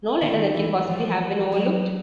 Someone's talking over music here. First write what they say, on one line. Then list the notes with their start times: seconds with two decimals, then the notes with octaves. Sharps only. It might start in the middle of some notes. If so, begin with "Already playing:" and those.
No letter that can possibly have been overlooked?
0.22 D#3
0.54 E3
0.87 F3
1.52 F#3